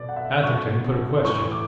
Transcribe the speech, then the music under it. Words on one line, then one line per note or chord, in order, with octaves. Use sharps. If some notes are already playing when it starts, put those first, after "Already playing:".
Atherton put a question.
Already playing: B2 D5
F#5
E5
B2 C#6
A2 E3 C#6
D6